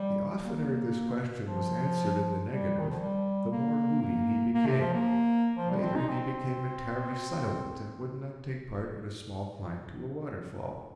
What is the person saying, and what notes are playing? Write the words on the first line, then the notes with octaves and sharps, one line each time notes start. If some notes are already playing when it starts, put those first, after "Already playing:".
The oftener this question was answered in the negative, the more moody he became; later he became entirely silent and would not take part in a small climb to a waterfall.
Already playing: G3
A#3
F3
G3
D#3
F3
G3
A#3
A#3
A#3
C3
F3
A#3
F3
G3
C4
D#4
C4